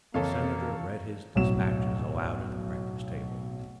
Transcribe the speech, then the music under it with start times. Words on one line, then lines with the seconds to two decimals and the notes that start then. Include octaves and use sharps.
The Senator read his dispatches aloud at the breakfast table.
0.14 F2 C#3 E3 A#3 C#4 A4 C#5 F5
1.35 D1 B1 A2 F#3 E7